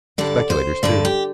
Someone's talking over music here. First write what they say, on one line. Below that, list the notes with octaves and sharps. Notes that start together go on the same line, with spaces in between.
Speculators, too.
G2 D3 D5
C5
G2 D3 D5
G4